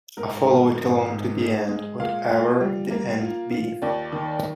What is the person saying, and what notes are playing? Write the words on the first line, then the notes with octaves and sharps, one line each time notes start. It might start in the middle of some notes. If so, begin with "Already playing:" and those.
I follow it alone to the end, whatever the end be.
G#2 A#4
D#3
G#1
G#2
G#3
G#3
A#2 F5
F4
G3
A#3
F4
F4
D#2 D5
D#3